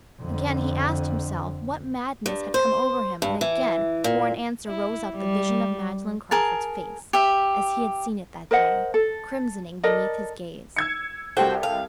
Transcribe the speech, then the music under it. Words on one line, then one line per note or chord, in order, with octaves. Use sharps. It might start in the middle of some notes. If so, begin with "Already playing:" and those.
Again he asked himself what madness had come over him, and again for an answer rose up the vision of Magdalen Crawford's face as he had seen it that day, crimsoning beneath his gaze.
F2 D3
G2
C5
G2
E3
A#2
E4
G3
G#4 A#4 A5
G4 E5
A#4 C5 D#5 F#5
A4
A4 A#4 D5 D#5
E6 G#6 C#7
C2 F#4 G4 A4 C5 G5
F5